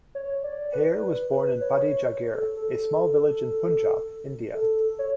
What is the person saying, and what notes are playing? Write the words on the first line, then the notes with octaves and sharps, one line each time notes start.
Hayer was born in Paddi Jagir, a small village in Punjab, India.
C#5
D5
B4
B4
B4
C#5
C#5
A4
A4
A4
C#5